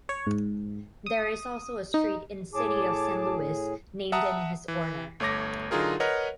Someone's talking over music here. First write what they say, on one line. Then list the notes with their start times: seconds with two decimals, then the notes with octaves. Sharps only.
There is also a street in city of Saint Louis named in his honor.
0.09 C#5
0.27 G#2
1.06 D#6
1.94 D#4
2.53 A2 G#4 C#5 A5 D6
4.12 E5 F#5 A5 A#5 D#6
4.68 E3
5.20 G1 A3 C#5 D6 A#6
5.71 D3 F#3 D#4 F4 G#4 A#4
6.00 A#4 B4 C#5 D#5 F#5